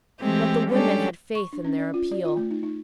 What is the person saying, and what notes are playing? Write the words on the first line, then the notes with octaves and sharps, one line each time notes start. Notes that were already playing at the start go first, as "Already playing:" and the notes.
But the women had faith in their appeal.
E3 G#3 A3 C4 G4
G3 G#3 C#4 D4 G4 A4
C#6
D4
C#4
D5
F4
D5
F4
A3
D#4
D#4